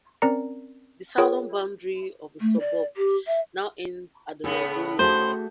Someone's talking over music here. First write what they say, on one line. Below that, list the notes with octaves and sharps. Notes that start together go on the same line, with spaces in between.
The southern boundary of the suburb now ends at the railway line.
C4 C#4 A#4 D5 A#5 C#7
F4 G#4 A#4 C#5 G5
A3
D5
G4
E5
A2 C#3 B3 G#4
A3 F#4 G#4 C5